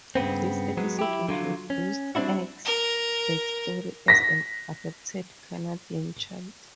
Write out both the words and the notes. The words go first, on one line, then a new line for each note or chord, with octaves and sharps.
This episode introduced Ike's backstory as an adopted Canadian child.
G2 C#3 B3 C4
F#3 G#3 B3
E4 G4
D3 F#3 F4
C#4
G3 C4 D4 E4 F#4
A#4
A#6 B6